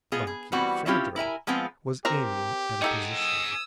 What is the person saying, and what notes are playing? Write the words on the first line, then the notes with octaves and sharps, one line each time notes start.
Barkilphedro was aiming at a position.
G#3 B3 F4 G#4
G#4
E3 G3 B3 C4 F#4
C4 C#4 E4 F4 G4
E4 A#4 E5 G#5
F3 G#3 B3 C4 F4
C4 G4 A#4 A#5
D#4 G#4 A4 F#5 G5
D#6 E6